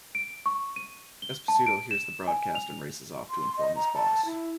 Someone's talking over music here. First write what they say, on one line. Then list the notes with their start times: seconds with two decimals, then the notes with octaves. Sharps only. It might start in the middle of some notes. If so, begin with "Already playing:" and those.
Esposito hears the broadcast and races off to inform his boss.
0.15 D7
0.46 C#6
0.76 D#7
1.22 G7
1.48 A5
1.67 D7
1.91 E7
2.27 G#5
2.55 F7
3.30 C6
3.57 D#5
3.76 A#5
3.94 A5
4.26 E4